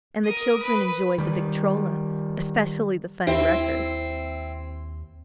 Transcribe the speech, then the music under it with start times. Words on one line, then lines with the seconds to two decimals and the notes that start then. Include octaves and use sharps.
And the children enjoyed the victrola, especially the funny records.
0.25 A#4 D#6
0.63 B4
1.18 D#3 G3
3.27 D#2 C4 E4